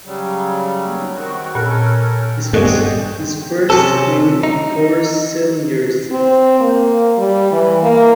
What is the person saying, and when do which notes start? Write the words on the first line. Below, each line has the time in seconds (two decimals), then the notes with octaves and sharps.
This was his first win in over seven years.
0.06 C#3 F#3 G3
1.15 D#3 C4 F#4
1.55 A#2 C#4 A4 A#4 F#6
2.53 G2 B3 C4 F#4 G#4 A4 D#5
3.70 C3 C#4 A4
4.43 D#4
6.11 C4
6.60 A#3
7.17 G3
7.52 E3
7.83 A#3